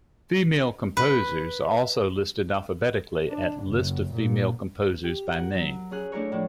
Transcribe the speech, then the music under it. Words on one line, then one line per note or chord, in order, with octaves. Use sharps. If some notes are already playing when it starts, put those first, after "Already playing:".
Female composers are also listed alphabetically at List of female composers by name.
B4
D4
F#1
A#2
G4
A#4 F#5
F#3
C#4 G#4 F#6
A3 D4 E4 A#4 C#5
A2 F3 D4